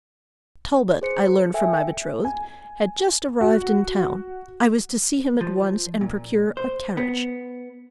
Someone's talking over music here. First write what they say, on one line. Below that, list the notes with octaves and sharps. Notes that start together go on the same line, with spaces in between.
Talbot, I learned from my betrothed, had just arrived in town. I was to see him at once, and procure a carriage.
G#4 C5 C#7
A4 E5 G5 G#5
G#5
F#4
F3
A#2
C5
B3